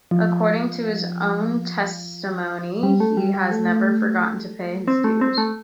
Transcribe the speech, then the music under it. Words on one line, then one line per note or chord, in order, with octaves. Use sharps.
According to his own testimony, he has never forgotten to pay his dues.
F3
G3
A3
G3
G3
A3
C4
A3
C4
A3